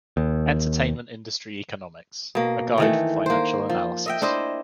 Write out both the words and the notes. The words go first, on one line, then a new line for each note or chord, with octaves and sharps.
"Entertainment Industry Economics: A Guide for Financial Analysis".
D#2
B2 A#3
D#3 E3 A3
A#3 C5
F3
D#5 E5 G5
D4 E4 C5 D#5